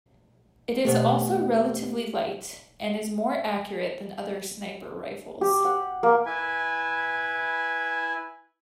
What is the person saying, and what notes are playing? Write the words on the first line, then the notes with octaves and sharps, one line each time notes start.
It is also relatively light, and is more accurate than other sniper rifles.
E2 B2 A3 B3 G4
G4
F#5
A#3
E4 B4 G#5